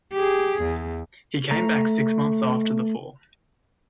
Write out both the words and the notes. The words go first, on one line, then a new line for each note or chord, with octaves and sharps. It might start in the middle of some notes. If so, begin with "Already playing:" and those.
He came back six months after the fall.
G4 G#4
E2
A3 A#5